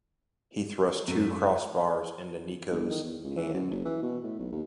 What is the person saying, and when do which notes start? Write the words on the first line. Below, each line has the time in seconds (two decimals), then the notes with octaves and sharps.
He thrust two cross bars into Nico’s hand.
1.08 F#2 F#3 A3
2.71 G1
2.90 D#3
3.04 E2
3.24 C#2
3.37 E3
3.54 F#2
3.71 F#1
3.85 E3
4.02 B2
4.24 A2
4.39 B1
4.52 D#2